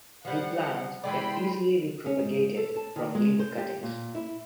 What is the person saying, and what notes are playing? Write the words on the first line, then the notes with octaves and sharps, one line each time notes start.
The plant can be easily propagated from leaf cuttings.
F3 G3 F#5
E3 G#3 D5 G5 B5 C6
C#4
G#2
A4
A5
D#3
G#3
C5
G4
A#2
E4